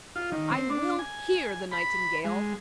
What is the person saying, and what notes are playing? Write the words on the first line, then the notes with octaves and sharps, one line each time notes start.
I will hear the Nightingale!
F4
D#3
C4
D4
G#5
B5
G#3